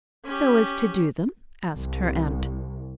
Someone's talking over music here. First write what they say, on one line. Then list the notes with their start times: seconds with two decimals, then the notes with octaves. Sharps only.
"So as to do them?" asked her aunt.
0.25 C#4 G4
1.75 C2